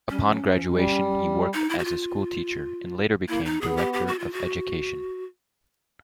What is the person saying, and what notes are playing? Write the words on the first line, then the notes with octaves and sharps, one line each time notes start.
Upon graduation, he worked as a school teacher and later became Director of Education.
G3 C#4
F3
F#3
F3
G3
D#4
E4
F#4
F4
A#3 E4
D#4
B3 G#4
G4
G4
F#4
F4
F#4